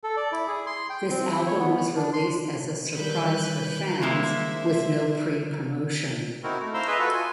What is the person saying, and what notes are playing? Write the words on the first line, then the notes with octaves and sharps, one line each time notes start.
This album was released as a surprise for fans, with no pre-promotion.
A4
D5
E4
G#4
C6
G5
C4
E4
C#5
B3
D4
C6
D#3 G3 B4 F#6 G6
G#3 A#3 E4 C5 E5
C4 D#4 E4 F#4 A#4
A3
E4 C5 F5 A#5 C6 E6
G#4 B4 D#5 E5 C6
F4 F#4 A4 B4
F4 G#5